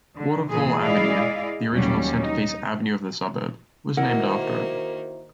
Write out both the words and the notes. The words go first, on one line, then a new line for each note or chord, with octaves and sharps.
Waterfall Avenue, the original centre-piece avenue of the suburb, was named after it.
D3
A#2 E3 G#4
G#3 E4 G#4 D5 D#5 F5
D#2 F#3 G3 C#4
D#4
D#3 A#3 E4 F#4 A#4 C5 F#5